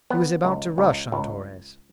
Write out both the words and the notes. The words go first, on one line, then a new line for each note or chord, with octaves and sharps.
He was about to rush on Torres.
B3
C#2
C#2
C#2